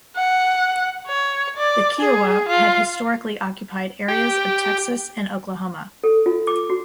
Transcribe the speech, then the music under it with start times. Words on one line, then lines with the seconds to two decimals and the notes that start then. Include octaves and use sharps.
The Kiowa had historically occupied areas of Texas and Oklahoma.
0.16 F#5
1.07 C#5
1.57 D5
2.00 G#4
2.49 F4
4.08 G4
6.04 A4
6.26 F4
6.47 D6
6.70 F#4